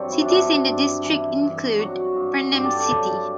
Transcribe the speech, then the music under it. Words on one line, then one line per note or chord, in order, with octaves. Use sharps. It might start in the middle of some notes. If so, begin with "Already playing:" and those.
Cities in the district include: Pernem City.
Already playing: G2 F#3 C4 A4
E4
D4
G2 E4
G2
E3
G2
F#3 F#4
G2
G2 G4
A4
G4
F#3